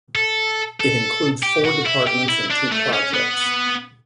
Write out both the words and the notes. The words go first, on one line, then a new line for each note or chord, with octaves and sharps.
It includes four departments and two projects.
A4
A4
G4
F#4
E4
G4
E4
D4
A3
C#4
B3